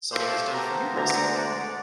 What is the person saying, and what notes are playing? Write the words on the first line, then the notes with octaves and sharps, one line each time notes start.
someone has done for you recently?
A3 G4 A4 C5 F5
B3 F#4 G4 A4 C5 A#5
D2 D3 G#3 A#5
G#3 D5 F#5